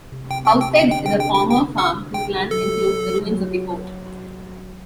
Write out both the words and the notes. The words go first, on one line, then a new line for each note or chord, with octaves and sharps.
Housesteads is a former farm whose lands include the ruins of the fort.
C3
C3 G5
G5
C3
G5
G5
D3
G5
D3 G5
G5
G5
G5
F#5
G5
F#3 A4
F#3